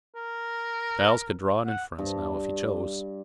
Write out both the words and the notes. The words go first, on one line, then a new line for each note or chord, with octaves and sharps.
Giles could draw an inference now if he chose.
A#4
F#5
G2